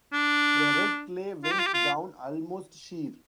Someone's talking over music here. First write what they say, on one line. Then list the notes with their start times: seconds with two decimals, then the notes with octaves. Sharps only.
The red clay went down almost sheer.
0.13 D4
1.44 F4
1.52 G4
1.59 F4
1.67 G4
1.74 F4